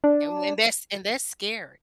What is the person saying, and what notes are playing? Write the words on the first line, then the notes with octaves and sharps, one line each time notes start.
and when that's and that's scary.
D4